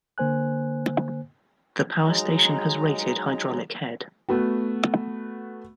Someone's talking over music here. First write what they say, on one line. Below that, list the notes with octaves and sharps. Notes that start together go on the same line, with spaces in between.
The power station has rated hydraulic head.
D3 A#3 C5 G#5 F#6
F#3 G#3 D#4 A#5
A3 B3 F#4